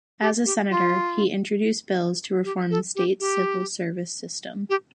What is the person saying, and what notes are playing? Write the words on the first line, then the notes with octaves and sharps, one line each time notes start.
As a senator, he introduced bills to reform the state's civil service system.
G4
G4
F4
G4
A4
G4
G4
G4